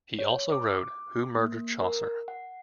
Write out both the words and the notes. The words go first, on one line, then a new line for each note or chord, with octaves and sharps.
He also wrote Who Murdered Chaucer?
C#5
D6
A#3
A#4
F#5